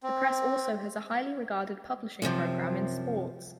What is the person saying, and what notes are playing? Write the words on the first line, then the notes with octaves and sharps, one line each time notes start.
The press also has a highly regarded publishing program in sports.
C4
F#2 C3 E3 F3